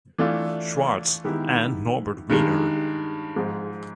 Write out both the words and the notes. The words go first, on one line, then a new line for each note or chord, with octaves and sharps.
Schwartz, and Norbert Wiener.
E3 A3 D4 F4
D#3 G#3 B3 E4 G4
G2 D#3 G#3
G#2 F3 G#3